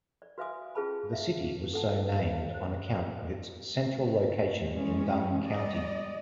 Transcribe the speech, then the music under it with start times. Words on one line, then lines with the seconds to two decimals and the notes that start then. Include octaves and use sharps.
The city was so named on account of its central location in Dunn County.
0.22 D5
0.38 F#4 B4 E5 F5 G#5 D#6
0.75 C#4 F4 G#4 B4 A5 B5
1.13 E5 F5
1.73 A4 F#5 A5
2.54 C5
3.70 A3
4.72 E3 G#3 C#4
5.45 G3 D5 D#5